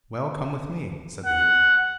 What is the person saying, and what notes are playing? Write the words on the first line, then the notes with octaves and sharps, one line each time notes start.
'Well, come with me,' said the youth.
F#5